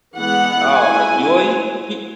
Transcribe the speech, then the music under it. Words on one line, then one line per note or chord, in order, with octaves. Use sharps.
Oh ma well, you you
E3 G#3 B3 F#5
G#3 C#4 E4 G#5